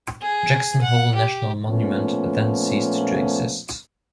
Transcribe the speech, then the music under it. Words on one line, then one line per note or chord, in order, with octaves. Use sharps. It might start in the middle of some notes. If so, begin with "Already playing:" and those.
Jackson Hole National Monument then ceased to exist.
G#4
F#5
G4
A#2 F3 A3 B3 C#4